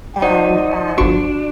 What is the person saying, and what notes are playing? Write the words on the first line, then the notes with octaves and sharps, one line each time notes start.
and, um,
D#4 C5 D5 F#5
G1 D4 F#4 C#6